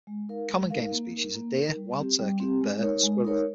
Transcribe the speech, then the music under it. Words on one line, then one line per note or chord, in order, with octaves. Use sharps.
Common game species are deer, wild turkey, bear, and squirrel.
G#3
D#4 A#4 F5
G#3
D#4 A#4 F5
A#3
D#4 A#4
A#3
D#4 A#4
G3
C4 G4
G3
C4 G4
G#3
D#4 A#4 C#5
G#3
D#4 A#4 C#5